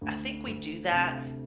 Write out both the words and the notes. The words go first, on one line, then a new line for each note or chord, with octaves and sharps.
I think we do that
D2
D2
C3